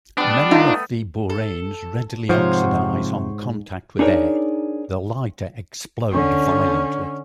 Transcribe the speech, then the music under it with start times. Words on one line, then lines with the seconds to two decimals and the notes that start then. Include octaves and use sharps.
Many of the boranes readily oxidise on contact with air, the lighter explode violently.
0.18 G3 B3 D4
0.51 A3 D#4 F4
1.30 A4
2.29 G#2 C3 F3 C5 C#5 F#5
3.99 D4 D#4 G#4 A#4 C#5 D5
6.11 D3 C#4